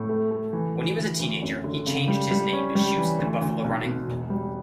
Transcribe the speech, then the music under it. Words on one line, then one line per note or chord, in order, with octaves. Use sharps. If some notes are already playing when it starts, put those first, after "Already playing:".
When he was a teenager, he changed his name to Shoots the Buffalo Running.
Already playing: A2
A3
A3
E3
E3
D2
D2
F#2
D3
C#3
G3
G3
C#4
G3
E3
D2
D2
B1
B2
E1
G3